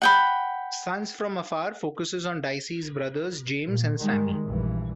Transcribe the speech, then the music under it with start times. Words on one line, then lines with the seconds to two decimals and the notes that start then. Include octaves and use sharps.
"Sons from Afar" focuses on Dicey's brothers, James and Sammy.
0.02 F#5 G5 B5
3.67 A#2
3.98 D#3 G3 G#3
4.45 A#1 G2 E3